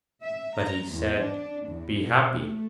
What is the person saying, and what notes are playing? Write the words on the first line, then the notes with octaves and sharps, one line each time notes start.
But he said: 'Be happy!
E5
A#5
E2
D4
E2
B2
A3